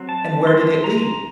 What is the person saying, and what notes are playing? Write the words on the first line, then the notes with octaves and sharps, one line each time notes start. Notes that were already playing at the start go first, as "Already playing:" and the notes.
"And where did it lead?"
Already playing: F#3 C4
A5
C6
A#5